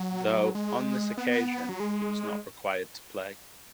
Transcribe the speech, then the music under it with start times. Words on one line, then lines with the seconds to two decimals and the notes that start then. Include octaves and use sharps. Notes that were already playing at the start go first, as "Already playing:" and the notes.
Though on this occasion he was not required to play.
Already playing: F#3
0.55 G#3
1.18 B3
1.69 F#3
1.80 G#3